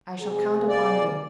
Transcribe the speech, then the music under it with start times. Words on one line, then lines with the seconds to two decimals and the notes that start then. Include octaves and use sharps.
I shall count upon you.
0.21 C3 G#3 G#4
0.68 A#3 D5